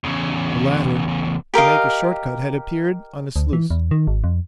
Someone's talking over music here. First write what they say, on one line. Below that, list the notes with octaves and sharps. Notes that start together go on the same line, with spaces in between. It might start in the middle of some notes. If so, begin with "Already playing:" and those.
The latter, to make a short cut, had appeared on a sluice.
E2 C#3
G4 A#4 D#5 F5
D2
E3
E2
D#3
G#1
F2